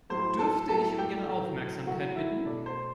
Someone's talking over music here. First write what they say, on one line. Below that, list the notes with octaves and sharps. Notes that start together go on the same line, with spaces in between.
Dürfte ich um Ihre Aufmerksamkeit bitten?
A2 F#3 A3 C5 C6
A4 A5
A2 F#3 A3 A4 A5
G4 G5
A2 F#3 A3
A2 F#3 A3 F#4 F#5
E4 E5
B2 A3 D4 D5
C5